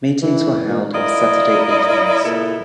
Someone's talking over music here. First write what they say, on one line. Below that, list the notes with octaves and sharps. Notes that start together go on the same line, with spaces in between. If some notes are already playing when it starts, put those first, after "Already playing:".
Meetings were held on Saturday evenings.
E3
A#2
E4 F4 A#4 D5 D#5
A#2 C#3 B3 E4 A4